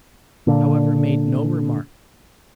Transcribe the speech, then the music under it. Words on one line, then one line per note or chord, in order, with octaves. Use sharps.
I however made no remark.
A#2 D3